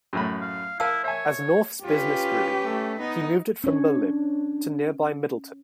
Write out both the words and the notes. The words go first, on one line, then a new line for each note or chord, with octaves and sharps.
As North's business grew, he moved it from Berlin to nearby Middletown.
F#2 A2 B5
F5
E4 A#4 F5 A5 E6
C#5 E5 G#5
C#4 F4 G4 B4
A3
B3 D#4
C#4 D4 C#5